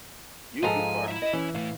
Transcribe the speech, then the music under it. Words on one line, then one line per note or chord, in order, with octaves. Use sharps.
you'll do fine.
G#2 F3 F4 G#4 A4 G#5 A#5
E4 E5
D#5
E3 C#4
A2 A3 F5